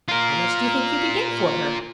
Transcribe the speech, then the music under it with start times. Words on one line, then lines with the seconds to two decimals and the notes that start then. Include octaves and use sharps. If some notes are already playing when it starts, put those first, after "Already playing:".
"How much do you think you could get for her?"
0.08 F4 A#4